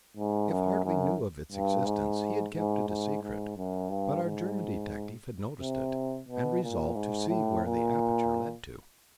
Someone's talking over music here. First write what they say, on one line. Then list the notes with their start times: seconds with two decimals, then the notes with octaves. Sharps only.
If Hartly knew of its existence, he had kept it a secret, but our German detective had noticed it, and resolved to see where the aperture led to.
0.17 G#2
0.51 F#2
0.85 F#2
1.52 G2
1.86 G#2
2.55 G#2
2.88 G#2
3.22 G#2
3.57 F#2
3.90 G2
4.24 G#2
5.60 C3
6.28 B2
6.62 A#2
6.96 G#2
7.30 A2
7.65 A#2